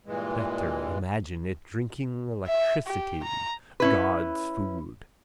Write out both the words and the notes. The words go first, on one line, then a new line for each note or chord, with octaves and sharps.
Nectar imagine it drinking electricity: gods' food.
G2 A#2 E3 G#3
E5
G4
A#5
C#4 E4 B4